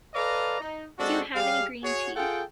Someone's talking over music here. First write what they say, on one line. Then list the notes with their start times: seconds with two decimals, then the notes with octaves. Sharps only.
Do you have any green tea?
0.14 A4 B4 D5 D#5 F5 A#5
0.60 D#4
0.98 G#3 C4 D4 F#4 G4 A4
1.34 G3 G4 G#4 F5
1.83 F#4 G#4 C#5
2.15 F4 G#4 A4 F#5 G5